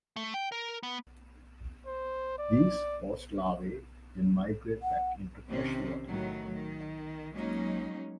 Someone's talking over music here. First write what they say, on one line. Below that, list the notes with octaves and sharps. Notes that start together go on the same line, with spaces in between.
These postlarvae then migrate back into fresh water.
A3
G5
A#4
B3
C5
D5
F#5
C3 D#3 C4 C#4
A2 D#3 F#3 A3
D#3
F#3 G#3 A#3 C#4 D#4